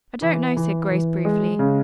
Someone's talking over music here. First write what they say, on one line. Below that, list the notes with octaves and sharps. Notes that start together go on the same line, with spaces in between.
"I don't know," said Grace briefly.
E3
E3
E3
G#3
C#3